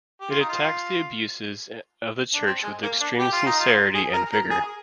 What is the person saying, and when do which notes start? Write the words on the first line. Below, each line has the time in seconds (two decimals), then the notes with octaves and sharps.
It attacks the abuses of the Church with extreme sincerity and vigour.
0.21 G4
0.30 F4
0.40 D#4
0.49 F4
2.34 D4
2.46 C4
2.63 G#3
2.83 A#3
3.01 D4
3.19 G4
3.33 F4
3.46 D#4
3.60 F4
3.95 G#4
4.14 A#4
4.32 A#4
4.51 G#4